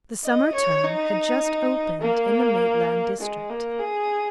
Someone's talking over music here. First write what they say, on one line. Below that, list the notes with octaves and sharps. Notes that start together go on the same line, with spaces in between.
The summer term had just opened in the Maitland district.
D#5
C#5
D#4
A#3
G#3
A#3
G#4